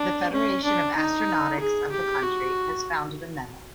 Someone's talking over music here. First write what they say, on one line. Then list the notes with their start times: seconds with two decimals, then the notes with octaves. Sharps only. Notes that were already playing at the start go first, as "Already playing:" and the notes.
The Federation of Astronautics of the country has founded a medal.
Already playing: D4
0.32 C#4
0.64 D4
0.97 D#4
1.60 G#4
1.92 G4
2.23 F#4